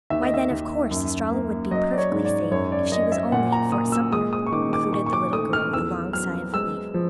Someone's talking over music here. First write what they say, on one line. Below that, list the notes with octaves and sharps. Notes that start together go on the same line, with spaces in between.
Why, then, of course Estralla would be perfectly safe if she was only at Fort Sumter, concluded the little girl, with a long sigh of relief.
D#2 E5
D#5
E5
D#2
F#2
A#3
F#3 D#5
D5
C#5
G#2
D5
F#2 C#5
D5
F#2 D#5
E5
A#2 F#5
A#5
A#2 D#6
E6
G#3 D#6
D#6
C#6
D#3 D6
D6
A#2 C#6
C#6
D6
A3 D#6
F6
E2 E6
F#3 F6
G#3 E6
F3